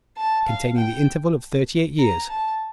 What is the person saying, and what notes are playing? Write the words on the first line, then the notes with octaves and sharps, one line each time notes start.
Containing The Interval Of Thirty-Eight Years.
A5
F5
G5
A#5
A5